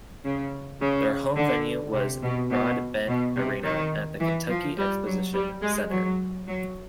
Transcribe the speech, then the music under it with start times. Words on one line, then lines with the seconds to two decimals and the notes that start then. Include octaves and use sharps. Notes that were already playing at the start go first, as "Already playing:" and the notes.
Their home venue was Broadbent Arena at the Kentucky Exposition Center.
0.24 C#3
0.81 C#3
1.37 D3
1.94 C3
2.23 B2
2.51 B2
3.08 B2
3.36 C3
3.64 D#3
4.20 E3
4.50 F3
4.78 G3
5.05 F#3
5.34 G3
5.63 G#3
5.91 F#3
6.48 F#3